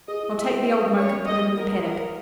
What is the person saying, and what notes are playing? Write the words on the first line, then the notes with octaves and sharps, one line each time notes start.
I'll take the old moke and put him in the paddock.
G#4 D#5
E4
E5 G#5
C#5
F#4 D#5
C#4
C#5 E5
A#4
E4 D#5
A#3
A#4 F#5
B4
G#4 A#4
E4